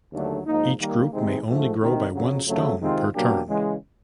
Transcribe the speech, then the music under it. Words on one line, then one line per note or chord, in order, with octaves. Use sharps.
Each group may only grow by one stone per turn.
D#2 D3 F#3 A3 D4
G#2 F3 A#3 D#4
D#3 G3 A#3
C3 D#3 G#3 C4 D#4
G#2 F3 A3
D2 C3 D#3
F2 C#3 F#3
F2 C#3 F#3 A3
C3 D#3 G#3 C4 F4
B2 F#3 A#3 D4 G4
C#3 E3 G#3